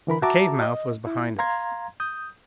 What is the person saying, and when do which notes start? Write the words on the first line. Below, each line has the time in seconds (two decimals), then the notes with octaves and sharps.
A cave mouth was behind us.
0.07 D3 E3 A#4 B5
0.22 F#4 E5 A5 A#5 D6
0.62 D#5
1.07 E4
1.39 F5 A#5 C6 G#6
2.00 D#6 G6